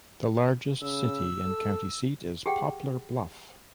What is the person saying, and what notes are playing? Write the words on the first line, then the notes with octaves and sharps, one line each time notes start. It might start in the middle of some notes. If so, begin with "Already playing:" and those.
The largest city and county seat is Poplar Bluff.
C#3 E6
A4
G4 G#4 F#5 G5